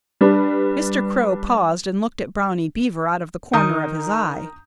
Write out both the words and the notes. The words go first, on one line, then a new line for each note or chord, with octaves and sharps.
Mr. Crow paused and looked at Brownie Beaver out of the corner of his eye.
G3 D4 B4
D#3 A#5 D#6 G6